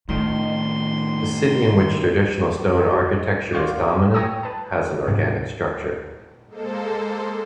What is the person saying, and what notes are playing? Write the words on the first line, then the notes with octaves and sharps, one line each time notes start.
The city in which traditional stone architecture is dominant, has an organic structure.
A2 D#3 F3 A3 C6
F#4
F#4 D5 F5 C6 C#6
G5 G#5 A#5 C#6 D#6 E6
B4 A5
G#2 C3 F#3
G#3 A#3 A4 C5